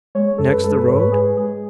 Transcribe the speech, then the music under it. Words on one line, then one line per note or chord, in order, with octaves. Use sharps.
"Next the road?"
G#3 C#5
F#2 A4
B4
G#3 A4
B4
G#2 C#5
B4
G#3 G#4
G#3 G#4